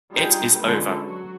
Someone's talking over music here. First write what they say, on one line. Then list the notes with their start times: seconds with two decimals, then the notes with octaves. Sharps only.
It is over.
0.12 G3 D4 D#4 F4 G#4 G5
0.58 D3 G#3 C#4 F4 A4 B4
1.04 F#3 F#4